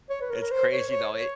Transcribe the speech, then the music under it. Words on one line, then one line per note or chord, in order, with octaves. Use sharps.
It's crazy though, it
C#5
B4
A#4
A#4
C5
C#5
C#5
C#5